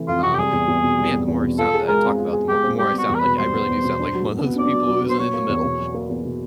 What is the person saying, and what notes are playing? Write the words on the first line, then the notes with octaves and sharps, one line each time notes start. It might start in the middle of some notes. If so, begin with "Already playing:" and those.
Um, man, the more I sound that I talk about, the more more I sound like I really do sound like one of those people who isn't in the middle.
Already playing: C3 E3 A3
F2 F4
C3 F#4
G4
G3 G#4
E2
E2
B2
G3
E2
E2
B2
F4 A4
G#4
G#3 A#4
C4
F4
G#4
G#3 G4
C4
G3 G4
B3 F#4
E2
A#4
B2 B4
G3 C5
B3
E2
B2
D4
F#3
F#3
B3
D4 D5
F#3
F#3
B3 C5
F#3 C#5
A#3
E2
B2
F#3
A#3
E2
B2